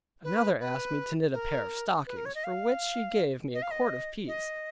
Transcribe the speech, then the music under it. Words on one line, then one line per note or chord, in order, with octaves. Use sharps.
Another asked me to knit a pair of stockings, for which she gave me a quart of peas.
B4
B4
A#4
B4
A#4
C#5
D#5
F5
D#5
F5
D#5
D#5